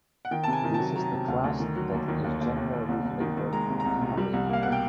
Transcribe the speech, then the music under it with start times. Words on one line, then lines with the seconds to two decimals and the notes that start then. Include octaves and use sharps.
This is the class that is generally labeled inalienable.
0.25 F#5
0.31 D#3 G5
0.44 A5
0.47 C3
0.53 G#5
0.64 D#3
0.74 A5
0.79 F#3
0.95 F#3 A#5
1.11 C3
1.28 D2
1.44 D2
1.60 D#3
1.76 F#3
1.92 D#2
2.08 D#3
2.24 D#2
2.41 D#2
2.56 D#2
2.72 D#2
2.88 C2
3.04 C2
3.20 D#3
3.37 D#3
3.53 G#3 A#5
3.69 C3
3.80 A#5
3.86 C2
4.01 C3
4.17 G3
4.33 C2
4.49 A#3 F5
4.63 B2 F#5
4.72 G5